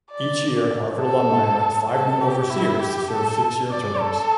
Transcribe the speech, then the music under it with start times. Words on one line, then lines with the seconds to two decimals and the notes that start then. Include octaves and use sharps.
Each year, Harvard alumni elect five new overseers to serve six-year terms.
0.11 D5
1.01 A4
1.91 A4
2.21 G4
2.50 E4
2.80 G4
3.11 A4
3.71 D5
4.00 A4